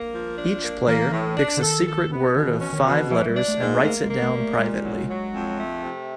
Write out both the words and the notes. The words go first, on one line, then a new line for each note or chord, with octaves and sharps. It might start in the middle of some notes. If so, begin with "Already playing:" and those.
Each player picks a secret word of five letters and writes it down privately.
Already playing: A#3
F3
D4
A#3
E3 A#3
A2
D4
D3
D#3 A4
A4
B3
B2 D#3
D#3
E3
C#4
D#3
B2
E3
E3 F3
G3
D4
A3
G#2
A#3
A3 A#3
G#3
A#3
A3
G3
A3
A#2 G#3
F#3
F#3
F2
A3
C3